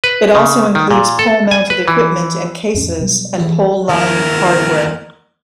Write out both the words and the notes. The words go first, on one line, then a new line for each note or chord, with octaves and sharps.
It also includes pole-mounted equipment and cases, and pole-line hardware.
B4
C#3
D#3
A#2
A4
G#5
B4
E3
F2 A2 C#4
B2 F#3 G3
A1 E2 E4
D#2 E4 A#4